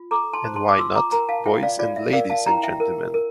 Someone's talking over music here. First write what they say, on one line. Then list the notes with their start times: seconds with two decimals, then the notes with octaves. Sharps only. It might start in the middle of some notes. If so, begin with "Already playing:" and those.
And why not, boys and ladies and gentlemen?
Already playing: F4
0.11 A4 A#5 D6
0.33 A5 C6
0.45 C5
0.56 A5 C6
0.68 D6
0.78 F4 C6 E6
0.95 A#5 D6
1.12 A#4 G5 A#5
1.29 F5 A5
1.46 F4 E5 G5
1.63 D5 F5
1.79 F4 D5
1.96 E5
2.13 A#4 D5 F5
2.30 F5 A5
2.46 E4 G5 A#5
2.63 E5 G5
2.80 A#4
3.14 A#4